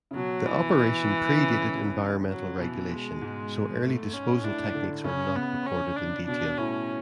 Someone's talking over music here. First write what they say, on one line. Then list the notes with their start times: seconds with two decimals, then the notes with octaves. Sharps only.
The operation predated environmental regulation, so early disposal techniques are not recorded in detail.
0.11 C#3
0.15 B2 F#3
0.46 E3
1.38 C#3
2.29 F#3
2.60 B2 E3
2.90 G#3
3.21 G#2
3.82 A3
4.13 C#4
4.44 A2 D4
4.74 D3
5.04 C#3 C#4
5.36 B3
5.66 C#4
5.96 D4
6.27 B2 D4
6.57 A2 C#4